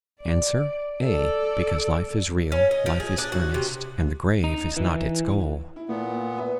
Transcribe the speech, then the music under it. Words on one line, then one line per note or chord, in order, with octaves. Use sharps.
Answer: A, because life is real, life is earnest, and the grave is not its goal.
D5
A4 D5
C#4
D#5
F3
G#4
D4
F#4
C3
D#4
E3
E4
A#2 A3 B3
A#3
B4 E5